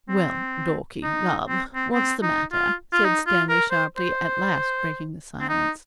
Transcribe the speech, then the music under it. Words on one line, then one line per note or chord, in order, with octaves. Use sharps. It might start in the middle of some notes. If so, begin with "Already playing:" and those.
'Well, Dorkie, love, what's the matter?' said Stanley sharply, at last breaking the silence.
C4
D#4
C4
C4
C4
D#4
F4
F4
D#4
F4
A#4
C5
C5
C4
D#4